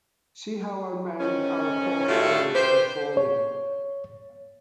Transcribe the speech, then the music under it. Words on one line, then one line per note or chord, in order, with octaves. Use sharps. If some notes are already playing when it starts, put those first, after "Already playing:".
See how our men, our poor fellows, are falling.
G#2 D#3 C#4
A2 G3 A3 F4 F#4
G4 B4 C5
C#5